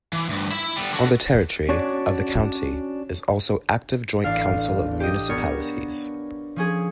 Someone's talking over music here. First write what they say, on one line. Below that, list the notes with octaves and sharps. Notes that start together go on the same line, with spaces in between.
On the territory of the County is also active Joint Council of Municipalities.
E3
D2 G2
E4 E5
G3 B3
D3 F#4
C#4 D4 F#4 C#5 D5
A1 D4 F5
G4 D#5
B3 D4 A#4 C#5
F3 C#4 G#4